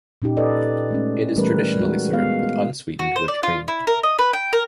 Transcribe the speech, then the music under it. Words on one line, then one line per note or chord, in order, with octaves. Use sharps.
It is traditionally served with unsweetened whipped cream.
A#2 C#4 D#4 G4
A4 B4 D5 D#5
G#3 A3 C#4
E3 G3 A3 C#4 A#4 B4
G#3 F#4
G#3 B3 F5
F#4
C5
D5
F4
E4
A#4
D#5
B4
G5
A#4